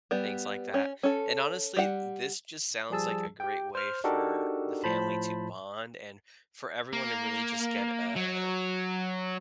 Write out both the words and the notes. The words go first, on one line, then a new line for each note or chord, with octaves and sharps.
things like that. And, honestly, this just sounds like a great way for the family to bond and for everyone to really just get a
G3 B3
C#4
C#4 A4
G3 F#5
F3 G3 G#4 A5 E6
G4 G5
C5 F6
D4 D#4 F#4 G4 A4 A#4
A2 F3 C5 A5 B5
A#3
F#3